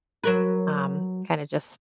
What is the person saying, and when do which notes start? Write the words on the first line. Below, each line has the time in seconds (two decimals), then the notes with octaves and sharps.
um, kinda just
0.24 F#3 A#4 B4